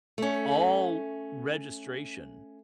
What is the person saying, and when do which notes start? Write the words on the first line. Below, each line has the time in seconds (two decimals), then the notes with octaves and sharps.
all registration,
0.18 A3 C#4